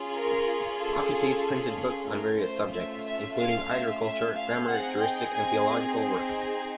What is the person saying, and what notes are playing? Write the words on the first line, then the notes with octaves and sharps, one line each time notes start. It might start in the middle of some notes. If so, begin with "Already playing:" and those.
Achates printed books on various subjects, including agriculture, grammar, juristic and theological works.
Already playing: C#4 F4 G#4
A#4
A4
A3 C#4 F4 A#4
C5
E5
E5
F5
E5
E5
F5
C4 D#4 G#4 F#5
G5
G#5